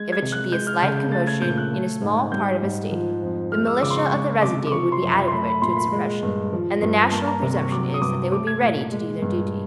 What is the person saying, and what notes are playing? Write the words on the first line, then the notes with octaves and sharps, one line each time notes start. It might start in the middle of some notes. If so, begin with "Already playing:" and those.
If it should be a slight commotion in a small part of a State, the militia of the residue would be adequate to its suppression; and the national presumption is that they would be ready to do their duty.
Already playing: G#3 G#6
G#6
C3
F#6
G#3 G6
F6
C#3 G6
G6
A3 A6
G#6
A#2 G6
F#6
A3
G#2
G3 G6
G#2
F3
F2
G#3 F6
E6
C#3 D6
C6
C#6
G#3 C#6
C3 D6
D6
F3 C#6
C6
F#2
B5
C6
A3 B5
B5
A#2 C6
C6
B5
G#3
G2
F3
G2
A#3 A5
A#5
C3
C#6
F#3 D6
D#6
G2 D6
A3 D6
G#6
A#2 G#6
G#3
G2